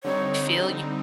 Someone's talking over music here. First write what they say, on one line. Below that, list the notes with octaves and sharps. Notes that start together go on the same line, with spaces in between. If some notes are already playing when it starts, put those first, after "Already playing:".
feel you
D3 G3 C4 D#4 C#5